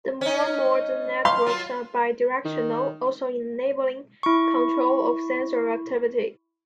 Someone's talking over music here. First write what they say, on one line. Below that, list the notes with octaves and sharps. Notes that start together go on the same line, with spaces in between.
The more modern networks are bi-directional, also enabling "control" of sensor activity.
C#4 D#4
F5 C6
F#3 F4
D#3
E4 C#6